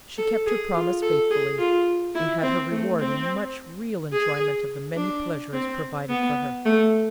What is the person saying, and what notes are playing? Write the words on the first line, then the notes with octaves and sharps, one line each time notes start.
She kept her promise faithfully, and had her reward in much real enjoyment of the many pleasures provided for her.
A4
G#4
F4
A4
G#4
F4
E4
C4
A3
C4
G#4
D4
C4
B3
A3